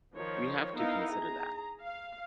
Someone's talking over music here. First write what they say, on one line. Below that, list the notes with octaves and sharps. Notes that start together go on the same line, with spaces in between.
We have to consider that.
D#3 F3 C#5
B3 D#4 E4 A#4 F5
G#4 A#5
F5